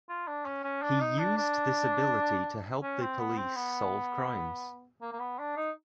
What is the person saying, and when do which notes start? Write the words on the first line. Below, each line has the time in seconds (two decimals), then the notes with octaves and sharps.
He used this ability to help the police solve crimes.
0.09 F4
0.27 D4
0.46 C#4
0.64 C#4
0.82 D4
1.00 D#4
1.19 D4
1.37 D4
2.83 C#4
3.01 C4
3.19 B3
3.37 C4
3.56 B3
5.02 A#3
5.13 A#3
5.20 B3
5.39 D4
5.57 D#4